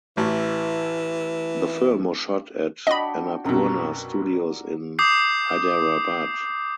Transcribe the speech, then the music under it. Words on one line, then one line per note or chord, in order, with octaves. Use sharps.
The film was shot at Annapurna Studios in Hyderabad.
A1 E3
D4 F#4 D#5 G5 B5
C2 F#2 B2 A#4
D6 D#6 G6 C7